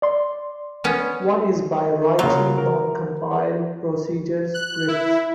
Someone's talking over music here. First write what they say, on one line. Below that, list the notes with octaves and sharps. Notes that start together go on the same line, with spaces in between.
One is by writing non-compiled procedure scripts.
D5 C6
B3 C#4
C#3 F#3 A#3 F4
A#4
F#6
E4